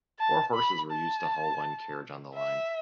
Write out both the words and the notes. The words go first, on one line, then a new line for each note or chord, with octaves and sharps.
Four horses were used to haul one carriage on the line.
A5
B5
A5
E5